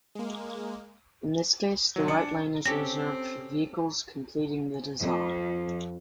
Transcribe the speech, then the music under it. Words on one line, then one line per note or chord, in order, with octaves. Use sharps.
In this case, the right lane is reserved for vehicles completing the design.
G#3 A#3
C2 F#3
D4 C#7
C4 C#4 G4 A4 A#6
F2